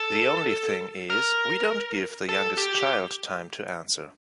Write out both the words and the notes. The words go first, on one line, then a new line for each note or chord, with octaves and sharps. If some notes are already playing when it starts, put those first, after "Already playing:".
The only thing is, we don't give the youngest child time to answer.
Already playing: A4
A#4
A4
G4
G4